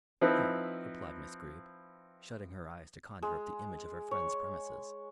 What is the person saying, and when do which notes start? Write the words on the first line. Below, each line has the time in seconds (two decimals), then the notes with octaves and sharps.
"No," replied Miss Greeb, shutting her eyes to conjure up the image of her friend's premises.
0.21 F3 C4 D#4 E4 B4
3.22 G#3
4.11 C#5